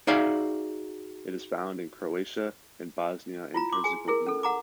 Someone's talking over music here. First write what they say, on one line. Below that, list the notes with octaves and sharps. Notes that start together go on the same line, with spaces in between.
It is found in Croatia and Bosnia and Herzegovina.
D#4 F#4 G#4 D5 E5 F5
E4 F4 A#5
C6 D6
G#4 G#5
E4 G#4 A#4
C#4 A4
F#5 A#5 D6